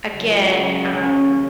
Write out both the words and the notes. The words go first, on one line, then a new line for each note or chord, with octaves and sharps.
again, um,
C#2 C#3 F#3
D#2 C#3 F#3 C#4